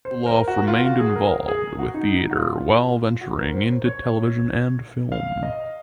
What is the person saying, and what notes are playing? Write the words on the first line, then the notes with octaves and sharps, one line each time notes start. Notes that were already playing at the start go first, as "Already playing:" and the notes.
Olaf remained involved with theatre while venturing into television and film.
C5
A#4
F#4
F4
F#4
G#4
A#4
A#4
G#4
F#4
D#4
D#4
F#4
F4
F#4
A#4
C5
C#5
C#5
F5
D#5